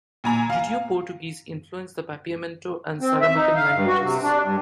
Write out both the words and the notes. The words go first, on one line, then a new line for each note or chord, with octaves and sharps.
Judeo-Portuguese influenced the Papiamento and Saramaccan languages.
A#2 G#5 A#5
F5
C4
E5
D#4
F5
G2
F#4
C3
D4
G2